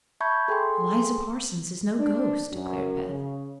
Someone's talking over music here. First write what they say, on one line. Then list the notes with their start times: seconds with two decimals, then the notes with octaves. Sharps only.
"Eliza Parsons is no ghost," declared Beth.
0.21 E5 A5 B5 C#6 G6 G#6
0.48 G#4 A4 G5 G#5 C6
2.00 D4
2.53 F#2
3.09 C#3